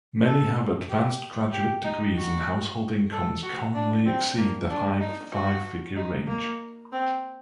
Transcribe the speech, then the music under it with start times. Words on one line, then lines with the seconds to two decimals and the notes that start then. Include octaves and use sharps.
Many have advanced graduate degrees and household incomes commonly exceed the high five-figure range.
0.25 A4
0.89 G4
1.52 G4
1.84 D#4
2.16 F#4
3.11 A4
3.43 F#4
3.74 D4
4.06 C4
4.37 A#3
4.70 D4
5.01 D#4
5.33 F#4
5.96 D#4
6.28 A#3
6.92 C4